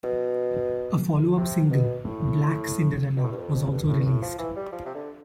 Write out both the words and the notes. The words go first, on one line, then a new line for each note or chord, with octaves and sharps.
A follow-up single, "Black Cinderella" was also released.
B2
C3
B2
A2
B2
A2
G2
F2
F2
G2
A2
G2
A2
F3
E3
G3
F3
C3
D3